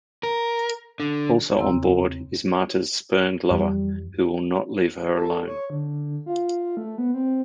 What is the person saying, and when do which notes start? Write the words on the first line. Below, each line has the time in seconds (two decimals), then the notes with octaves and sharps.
Also on board is Marta's spurned lover, who will not leave her alone.
0.23 A#4
1.00 D3
1.57 E2 C#3 C4 A#5 C6 E6
3.51 F2 E3 F3 G3
5.14 A4
5.47 C#5
5.70 D3
6.26 F4
6.77 A3
6.98 B3
7.14 C4